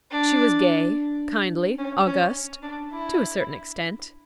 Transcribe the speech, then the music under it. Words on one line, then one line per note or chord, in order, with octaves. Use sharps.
She was gay, kindly, august--to a certain extent.
D4
C#4
C#4
D4
E4